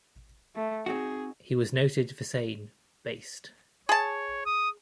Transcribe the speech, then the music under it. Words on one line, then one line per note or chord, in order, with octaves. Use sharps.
He was noted for saying ""Baste!
A3
C4 D#4 F#4 G#4
G#4 C#5 A5
D#6